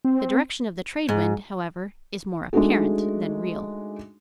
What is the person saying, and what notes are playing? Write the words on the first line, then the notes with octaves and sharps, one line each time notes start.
The direction of the trade wind, however, is more apparent than real.
C4
G#2
G#3 A3 D4 D#4 F#4 G#4